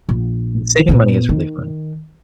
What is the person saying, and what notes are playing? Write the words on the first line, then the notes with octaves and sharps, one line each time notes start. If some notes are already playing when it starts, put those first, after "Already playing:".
saving money is really fun.
A#1
A#2 B3
D#3